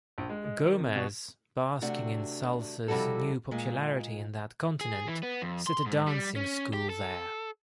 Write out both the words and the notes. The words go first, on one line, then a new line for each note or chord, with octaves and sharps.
Gomez, basking in Salsa's new popularity in that continent, set a dancing school there.
A#1
G#3
G#3
D#3
C3
B2
C3 A3 D4 F#4
F2 C3 G3 E4 F#4 A4
A#2 G#3
G#4
E3
B3
F2
C6
G#2
G3
C#4
G4
A4